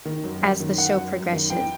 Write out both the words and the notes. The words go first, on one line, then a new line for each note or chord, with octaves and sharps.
as the show progreshe
D#3
F#2
F#2
D#3
D#3 F#5
F#2
F#2
D#3
E3 G5